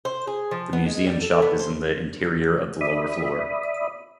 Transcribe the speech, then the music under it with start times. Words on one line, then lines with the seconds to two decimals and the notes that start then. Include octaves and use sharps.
The museum shop is in the interior of the lower floor.
0.05 C5
0.27 G#4
0.51 F3
0.73 B3
0.86 G#3
1.07 G3
1.22 A4
1.42 B3
1.60 C5
2.81 D5 E5 B5 D#6